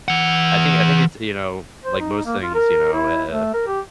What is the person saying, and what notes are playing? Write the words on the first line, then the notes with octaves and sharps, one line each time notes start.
I think I think it's, you know, like most things, you know, uh
E3 F#5
C5
D#4
A#3
F4
A#4
E4
A3
A#4
G4